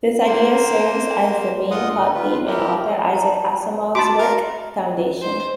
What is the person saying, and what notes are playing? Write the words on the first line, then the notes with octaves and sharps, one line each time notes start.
This idea serves as the main plot theme in author Isaac Asimov's work, "Foundation".
A#3 C5
G2 F4 D#5 F#5 C6 D#6
D3
F4 B4
E4 G4 A#4
A5 A#5
F#4 A5 B5 D6
A#4 A#5
C5